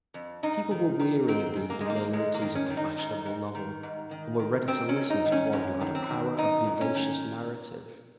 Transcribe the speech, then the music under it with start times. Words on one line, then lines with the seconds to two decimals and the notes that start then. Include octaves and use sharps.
People were weary of the inanities of the fashionable novel, and were ready to listen to one who had a power of vivacious narrative.
0.14 F2
0.43 G#2 D#4
0.71 D#3
0.99 D#3
1.28 G#2 C4
1.56 G#2
1.70 A#3
1.81 G#3
1.85 D#3 A#3
2.13 G#2 G#3
2.34 A#3
2.42 D#3
2.55 C#4
2.70 D#3
2.77 D#4
2.98 G#2
3.26 G#2
3.55 D#3
3.83 G#2
4.11 D#3
4.39 D#3
4.67 G#2 C4
4.89 C#4
4.96 G#2
5.10 D#4
5.25 D#3
5.32 C#4
5.53 F#2 C#4
5.81 D#3
5.95 C4
6.09 D#3
6.37 F#2 D#4
6.66 F#2
6.81 C#4
6.95 D#3